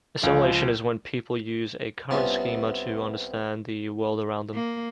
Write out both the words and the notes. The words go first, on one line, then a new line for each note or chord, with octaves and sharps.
Assimilation is when people use a current schema to understand the world around them.
C#2 F3
C2 C3 B3 C#4 F4 A5
A#3